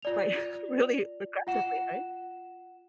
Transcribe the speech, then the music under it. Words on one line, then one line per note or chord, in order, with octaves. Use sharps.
right, really aggressively, right?
F4 D5 F7
F4 F#5 E7